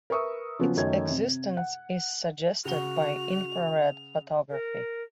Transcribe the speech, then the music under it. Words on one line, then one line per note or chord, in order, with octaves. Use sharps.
Its existence is suggested by infrared photography.
A#4 B4 E5 C#6 D#6 E6
C#3 F3 F#3 B3 C#4
F#2 D#3 A3 C#5 G#6
C3
F#5
C#3 F#4 F#5 F7 G7
A#4